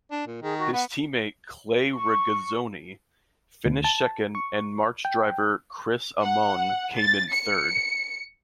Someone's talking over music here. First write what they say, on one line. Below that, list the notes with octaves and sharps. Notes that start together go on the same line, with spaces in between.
His teammate Clay Regazzoni finished second and March driver Chris Amon came in third.
D4
A#2
D#3 G#4
F#4
B3 F#5
C#6
D2
A5
C#6
G5
F#5
A6
C#7